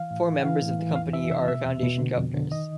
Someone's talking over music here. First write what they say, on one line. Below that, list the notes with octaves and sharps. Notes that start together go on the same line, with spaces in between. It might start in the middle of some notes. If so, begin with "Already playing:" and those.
Four members of the Company are foundation governors.
Already playing: E3 F5
A2
E3
F#5
E3 F5
A2
E3
F2 F5
E3 E5
C3 E5
B2 E5
E2
B2
D3
F2
D3
D#3 D#5